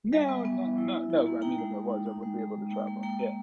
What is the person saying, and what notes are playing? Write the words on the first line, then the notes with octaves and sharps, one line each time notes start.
No, no, no, no, I mean, if I was, I wouldn't be able to travel. Yeah.
G3 E5 G#5
B3
B3
G3
E4
E4
E4
A#3
D#4 G5 A#5
G#3
G#3
D#4
D#4
G#3
G#3
G#3
A#3 G5 A#5
A#3
A#3 G5 A#5
A#3